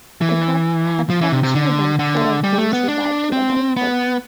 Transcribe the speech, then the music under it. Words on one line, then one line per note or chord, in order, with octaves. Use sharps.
The couple had seven children, four of whom survived to adulthood.
E3
F3
E3
C3
C3
D3
D3
G3
A3
B3
D4
C4
B3